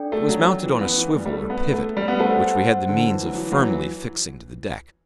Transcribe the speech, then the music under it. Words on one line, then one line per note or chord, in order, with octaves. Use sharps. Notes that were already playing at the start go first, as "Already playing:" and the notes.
It was mounted on a swivel or pivot, which we had the means of firmly fixing to the deck.
Already playing: D4 A4 D5 G5
A3
F#3
E3
B3
E3
G3
G3
A3
B3
A3
G3
B3
A3 F#4 C5 F#5 A5
D3
E3
F#3
E3
F#3
E3